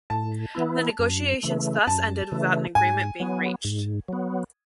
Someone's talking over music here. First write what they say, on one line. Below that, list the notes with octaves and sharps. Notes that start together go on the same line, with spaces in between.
The negotiations thus ended without an agreement being reached.
A2 A5
E3 B3 E4
F#2
C#3 E3 A3
F#2 A5
C#3 E3 A3
G#2 G#5
F#3 B3
G#2
F#3 B3